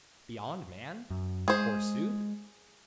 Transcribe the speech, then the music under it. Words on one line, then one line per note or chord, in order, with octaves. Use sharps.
Beyond man, forsooth?
F#2
G#3 G#4 C5